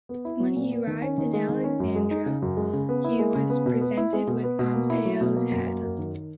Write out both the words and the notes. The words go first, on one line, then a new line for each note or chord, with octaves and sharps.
When he arrived in Alexandria, he was presented with Pompey's head.
B3
E4
F#3
A#2
B3
D#3
C#4
D#3
G#3
D#3
C#4
F#2
G#3
D#4
C#3
F#2
G#3
C#3
B3
E4
G#3
C#3
B3
B2
B3
E4
G#3
B2
B3
B2
A#3
E4
F#3
B2
A#3
F#2
A#3
F#2
D#3